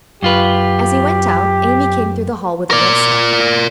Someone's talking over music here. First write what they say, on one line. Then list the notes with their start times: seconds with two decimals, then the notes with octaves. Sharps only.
As he went out Amy came through the hall with a red sled.
0.23 F#2 F4 G4 B4
2.71 A#4 D5